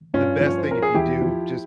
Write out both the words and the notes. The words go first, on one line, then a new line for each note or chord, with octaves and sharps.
the best thing if you do just
G2 C#4 F4
F3
C#5
C5
F3 A#4
G#4
E2 E4 G4
F3